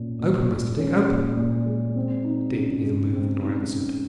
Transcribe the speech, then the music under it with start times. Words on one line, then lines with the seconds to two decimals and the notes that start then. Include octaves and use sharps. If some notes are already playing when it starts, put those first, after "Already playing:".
"Open, Master Dick; open!" Dick neither moved nor answered.
Already playing: A#2 C#4
0.20 A#2
0.50 G#3
0.78 C#4
1.08 A#2
1.37 A#2
1.66 G#3
1.95 C4
2.24 D#4
2.55 C#3
2.84 G#3
3.13 C4
3.42 D#4
3.71 C#3